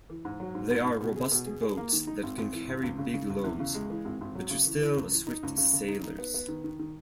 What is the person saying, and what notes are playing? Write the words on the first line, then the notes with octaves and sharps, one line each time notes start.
They are robust boats that can carry big loads, but are still swift sailers.
E3
G#2
F#3
G#2
G#2
G#2
B2
G#4
B2
G#4
G#4
A#3
D#3
D#4
G#1
G#1
E3
G#1
C#2
C#3
C#3
C#2
E2
C#3
G#3
E3
G#1
G#1
F#3
C#3
E3
E3
C#2
E3
D#4
C#2
C#3
C#3
D#4
D#4
B3
B3
D#3
D#3
D#3